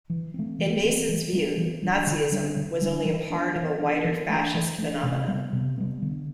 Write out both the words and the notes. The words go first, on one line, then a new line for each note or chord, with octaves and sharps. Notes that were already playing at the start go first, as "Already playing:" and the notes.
In Mason's view, Nazism was only part of a wider fascist phenomenon.
E3
A3 C4
E3
A3 C4
E3
G3 B3 D4
E3
G3 B3 D4
D3
G3 D4
D3
G3 D4
E3
D4
B3
E3
B3 D4
E3
A3 D4
E3
A3 D4
C3
G3 B3
C3
G3 B3
D3